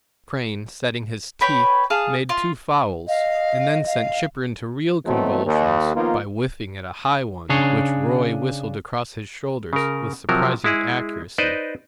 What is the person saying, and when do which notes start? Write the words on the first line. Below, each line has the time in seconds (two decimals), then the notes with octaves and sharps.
Crane, setting his teeth, made two fouls, and then sent Chipper into real convulsions by whiffing at a high one which Roy whistled across his shoulders with surprising accuracy.
1.41 B4 C#5 G5 B5
1.90 G#4 F5 A5
2.29 F4
3.07 D#5 F5
3.86 F5
5.05 D#2 B2 E3 F#3 A3 C4
5.45 D#2
5.95 D#3 F3 A#3 B3 D#4 F4
7.49 C#3 D4 G#4 C#5
9.73 C#3 A#4
10.29 C3 F3 F#3 A#4
10.64 G#3 E4 G#4
11.38 D#4 B4 C5 D5 D#5